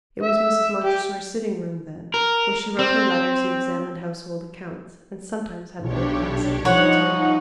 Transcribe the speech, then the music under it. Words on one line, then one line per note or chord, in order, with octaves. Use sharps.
It was Mrs. Montressor's sitting-room then, where she wrote her letters and examined household accounts, and sometimes had an old gossip in to tea.
E5
G4
A#4
C4
B1 D4 G4 C#5
F3 G3 D#4 C#5 F#5